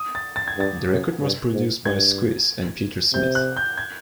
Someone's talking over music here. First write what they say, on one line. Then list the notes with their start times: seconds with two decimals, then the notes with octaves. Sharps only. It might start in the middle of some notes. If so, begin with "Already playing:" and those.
The record was produced by Squeeze and Peter Smith.
Already playing: D#6
0.15 A6
0.36 A6
0.48 G#6
0.58 G2 A6
0.89 F#2
1.21 G2
1.53 G#2
1.85 G2 G#6
3.13 C3 G6
3.35 F#6
3.57 G6
3.78 G#6